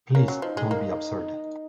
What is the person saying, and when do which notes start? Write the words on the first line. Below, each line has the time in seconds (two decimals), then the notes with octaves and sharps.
Please, don’t be absurd.
0.15 A#3 C#4
0.28 F#3
0.42 F3 D#4
0.57 G#3
0.71 A#3